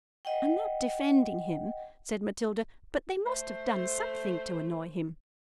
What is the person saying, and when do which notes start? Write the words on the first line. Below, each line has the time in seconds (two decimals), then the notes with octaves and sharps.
"I'm not defending him," said Matilda, "but they must have done something to annoy him."
0.25 D#5 F#5 G5
3.25 A3 C5